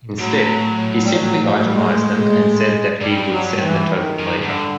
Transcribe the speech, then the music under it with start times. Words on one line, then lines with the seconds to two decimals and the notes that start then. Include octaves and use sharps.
Instead, he simply itemised them, and said that he would send the total later.
0.18 A2 F#3
1.05 G3
1.12 F#3
1.44 F3
1.54 F#3
1.65 G3
1.75 G#3
3.01 G2 G3
3.32 F#3
3.57 D#3
3.63 E3
3.95 D#3
4.18 F#2
4.41 G2 D3